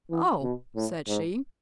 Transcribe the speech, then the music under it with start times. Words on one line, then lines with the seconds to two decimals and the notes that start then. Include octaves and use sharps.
"Oh!" said she.
0.11 E3
0.42 B2
0.75 A2
1.08 G#2